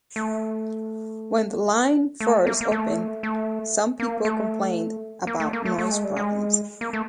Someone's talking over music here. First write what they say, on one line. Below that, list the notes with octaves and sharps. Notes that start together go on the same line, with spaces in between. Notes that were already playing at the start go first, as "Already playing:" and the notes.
When the line first opened, some people complained about noise problems.
A3
A3
A#3
A#3
A3
A3
A#3
A3
A#3
A3
A#3
A3
A3
G#3
G3
G#3
A#3
A3